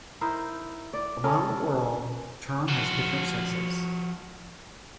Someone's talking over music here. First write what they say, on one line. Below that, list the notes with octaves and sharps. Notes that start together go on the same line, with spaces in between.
Around the world, the term has different senses.
D#4 E4 A#4 C5
D5
C#4 F4 A4 A#4
F3 F#4